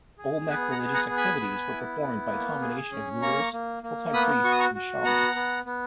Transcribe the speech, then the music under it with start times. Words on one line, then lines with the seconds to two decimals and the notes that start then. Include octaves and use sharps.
Olmec religious activities were performed by a combination of rulers, full-time priests, and shamans.
0.18 G#4
0.48 B3 B4
0.71 F#5 A#5
0.79 G#4
0.94 F#5 A#5
1.09 B3
1.17 G#5 B5
1.39 B3
1.70 E4
2.01 B3
2.31 A#3
2.61 G#4
2.92 C#4
3.22 A#3 A#5 C#6
3.53 A#3
3.83 A#3
4.14 B3 B5 D#6
4.44 F#4 C#6
4.52 D#6
4.60 A#5 C#6
4.75 F#4
5.05 B3 F#5 A#5
5.35 B3
5.65 B3